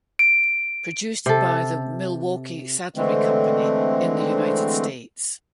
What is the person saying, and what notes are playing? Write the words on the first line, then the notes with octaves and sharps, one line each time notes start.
Produced by the Milwaukee Saddlery Company in the United States.
D7
C3 A4
D3 E3 G#3 A3 C4